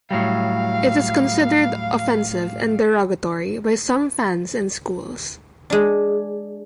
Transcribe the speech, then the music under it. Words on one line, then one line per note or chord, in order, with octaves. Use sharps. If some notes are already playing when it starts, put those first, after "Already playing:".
It is considered offensive and derogatory by some fans and schools.
A2 F#3 G3 F5
G#3 D4